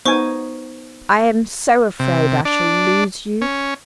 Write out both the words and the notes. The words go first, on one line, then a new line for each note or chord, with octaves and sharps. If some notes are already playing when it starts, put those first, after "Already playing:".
I am so afraid I shall lose you.
B3 D#4 C5 G#5 C#6
C3
D4
C#4